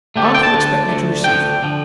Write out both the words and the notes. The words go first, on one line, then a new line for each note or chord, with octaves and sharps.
Aunt will expect me to receive him.
D2 D3 A3 G4
A4
G5
A5
D2 D3 A3
D2 D3 A3
D2 D3 A3 G5
D3 F3